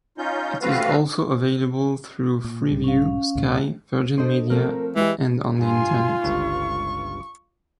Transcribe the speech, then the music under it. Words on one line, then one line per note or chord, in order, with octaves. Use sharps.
It is also available through Freeview, Sky, Virgin Media and on the Internet.
C#4 D#4 F4 G6
A3 C4 F4 F#4 B4 F5
A#2
B1 G#2 G3
C#4 F5
D2 A#2
D4 A4 C5 D#5
F3 A3 C4 A#4
E3 G#3 E4 G4
G2 F4 G#5 C6
G1 C#2 G2 C#6